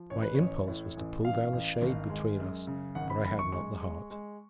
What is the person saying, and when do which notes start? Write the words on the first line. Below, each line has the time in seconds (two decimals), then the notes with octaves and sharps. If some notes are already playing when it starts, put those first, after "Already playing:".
My impulse was to pull down the shade between us, but I had not the heart.
Already playing: F3
0.10 A1 C#5
0.22 B4
0.35 A1 C#5
0.68 A2
0.97 A1
1.25 A1 F5
1.53 A1
1.82 G#1
2.10 G#3
2.39 F#2
2.67 C#3
2.95 G#1 F#5
3.10 B5
3.25 F#2 B5
3.39 C#6
3.52 G#3 C#6
3.81 G#3
4.10 G#3